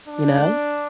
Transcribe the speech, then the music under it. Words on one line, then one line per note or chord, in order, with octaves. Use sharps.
You know?
D4